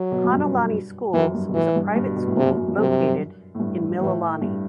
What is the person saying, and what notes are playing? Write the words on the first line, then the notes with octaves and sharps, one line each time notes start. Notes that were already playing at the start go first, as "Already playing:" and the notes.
Hanalani Schools is a private school located in Mililani.
Already playing: F#3
B2
F#2
G2
F#2 E3
G2
B2
A2 E3
G2
G2
B2
B2
A2
G2 C3
F#2
F#2
G2
F#2 C3
A2
G2
A2 E3
G2